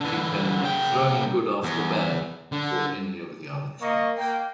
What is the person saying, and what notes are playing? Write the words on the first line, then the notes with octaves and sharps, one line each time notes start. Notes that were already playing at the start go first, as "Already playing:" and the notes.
She penned "Throwing Good After Bad" before any of the other tracks.
D3 E3
C#3 G5
E2
D3
A#3 D#5 C#6
A#3 G5